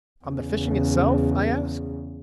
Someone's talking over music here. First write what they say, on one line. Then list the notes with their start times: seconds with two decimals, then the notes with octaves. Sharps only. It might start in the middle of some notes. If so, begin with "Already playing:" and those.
"On the fishing itself?" I asked.
0.25 E2 C#3